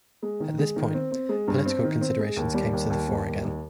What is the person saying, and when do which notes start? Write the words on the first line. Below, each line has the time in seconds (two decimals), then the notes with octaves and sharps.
At this point, political considerations came to the fore again.
0.22 G#3
0.40 D#3
0.58 G#3
0.76 D#3
0.94 C4
1.11 C4
1.29 G#3
1.48 G2
1.65 C4
1.83 D#3
2.01 C4
2.19 G#3
2.37 D#2
2.54 G3
2.73 D#2
2.90 D#2
3.08 G3
3.26 D#2
3.44 D#2